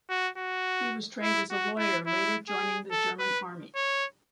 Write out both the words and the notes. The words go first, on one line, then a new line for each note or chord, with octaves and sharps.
He was trained as a lawyer, later joining the German Army.
F#4
F#4
E4
F#4
E4
E4
G#4
A4
B4
C#5